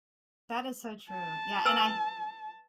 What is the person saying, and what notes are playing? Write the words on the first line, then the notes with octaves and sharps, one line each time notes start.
That is so true. Yeah, and I
A5
B4 G#5 E6